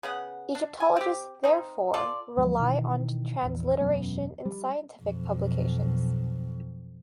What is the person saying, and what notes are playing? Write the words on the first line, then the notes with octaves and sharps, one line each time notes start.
Egyptologists, therefore, rely on transliteration in scientific publications.
C#3 B3 F#5
D4
G#5
C4 G4
C4 D#4
F4 A4 D5
D2 G#2 F3 F#3
B2 D#3 E3
A#1 E2
E1 F#2 B3
G3
B1 F2